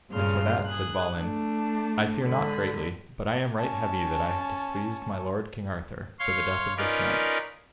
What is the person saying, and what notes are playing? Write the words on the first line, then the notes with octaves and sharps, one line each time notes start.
As for that, said Balin, I fear not greatly, but I am right heavy that I have displeased my lord King Arthur, for the death of this knight.
G2 A#2 C#3 C6 F6
G#4 F#6
A3 D4
G#2 D3 B5
C#4 A5
C#5 F5 C6
C#4 D#4 F4 A#4 B4 D5